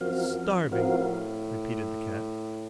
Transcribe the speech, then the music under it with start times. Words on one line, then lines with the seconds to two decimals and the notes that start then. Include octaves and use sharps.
"Starving!" repeated the Cat.
0.01 F#2 F3 C4 F#4 A#4 F5
0.24 F2
0.44 F2
0.48 F#2
0.71 A2 F3 C4 F#4 A#4 F5